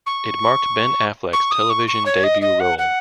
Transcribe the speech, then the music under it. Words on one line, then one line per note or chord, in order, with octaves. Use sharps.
It marked Ben Affleck's television debut role.
C#6
C#6
D#6
C#6
C#6
C#5
D#5
D#5
F#5
F#5